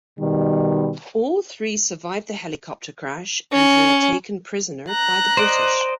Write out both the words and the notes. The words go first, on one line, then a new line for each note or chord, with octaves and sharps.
All three survive the helicopter crash, and they are taken prisoner by the British.
B2 D#3 G3
C#4
A#5 F#6
C5 D5 D#5